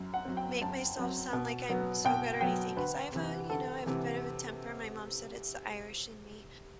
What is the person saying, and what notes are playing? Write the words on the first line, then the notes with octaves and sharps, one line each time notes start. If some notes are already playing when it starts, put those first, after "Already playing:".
make myself sound like I'm so good or anything, 'cause I have a you know, I have a bit of a temper. My mom said it's the Irish in me,
Already playing: F#2
F#5
F#3 C4
G5
F#2 A5
F#3 C4
B2
F#3 B3
B2 G5
F#3 B3 G5
D2 B4
C3 E3
D2 A4
C3 E3